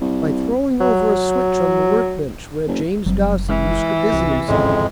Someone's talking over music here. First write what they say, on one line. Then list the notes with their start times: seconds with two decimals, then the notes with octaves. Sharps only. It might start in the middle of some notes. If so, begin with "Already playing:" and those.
"By throwing over a switch on the work bench where James Darcy used to busy himself!"
0.01 C2
0.80 F#3
2.68 F#1
3.06 F#1 F#3 G3 C4
3.49 E3 G#3
4.12 C2 C3
4.48 D1 G#1 F2 C#3 G#3 C#4